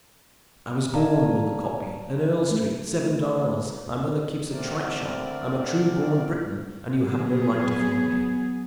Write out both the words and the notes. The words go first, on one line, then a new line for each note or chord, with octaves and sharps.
"I was born," roared the cockney, "in Earl Street, Seven Dials--my mother keeps a tripe-shop--I am a true born Briton, and you have no right to flog me."
D5 F5 A5 A#5
A3
D3 A3 C4 A#4 D5
F#3 B3 G#4